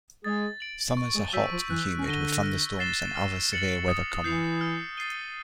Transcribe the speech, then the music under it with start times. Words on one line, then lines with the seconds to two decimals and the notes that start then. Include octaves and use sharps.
Summers are hot and humid, with thunderstorms and other severe weather common.
0.24 G#3 G#4 A6
0.60 D7 F#7
0.97 C#6
1.15 G#3 G#4
1.33 F#3 F#4 E6 G6 B6 D#7
1.51 F3 F4
1.70 E3 E4 F#6
1.98 C#4
2.06 D3 D4 A#6 D#7 G7
2.43 F6
2.79 A6 C7 E7 G7
3.16 F6
3.52 A6 C#7 F#7
3.88 D#6
4.24 E3 E4 G6 C7 F7
4.61 F6
4.97 A6 C7 D#7 G7